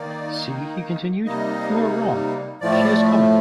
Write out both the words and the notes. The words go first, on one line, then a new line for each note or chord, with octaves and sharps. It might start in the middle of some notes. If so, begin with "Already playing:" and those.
"See," he continued, "you are wrong: she is coming."
Already playing: D#3 A#3 D#4 D5
C3 G3 A#3 D#4 D#5
A2 F3 A3 D5